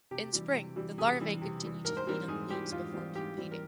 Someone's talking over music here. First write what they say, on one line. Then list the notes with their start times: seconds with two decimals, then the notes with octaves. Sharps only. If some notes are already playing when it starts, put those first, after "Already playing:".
In spring, the larvae continue to feed on the leaves before pupating.
0.11 C3 G4
0.33 E3 G3
0.54 C3
0.76 E3 G3
0.98 C3 G#4
1.20 E3 G3
1.42 C3
1.63 E3 G3
1.85 G#2 A#4
1.97 C5
2.07 E3 G3 C4 A#4
2.28 G#2 G#4
2.50 E3 G3 C4 G4
2.72 G#2 F4
2.94 E3 G3 C4
3.15 G#2 G4
3.37 E3 G3 C4
3.51 A#4